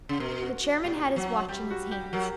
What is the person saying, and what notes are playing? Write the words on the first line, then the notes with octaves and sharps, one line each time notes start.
The chairman had his watch in his hands.
C#3
B2 A#4
F#4
F#4
A#2 G4
F#3
G3 G4
F#4
G4
F#3 A#4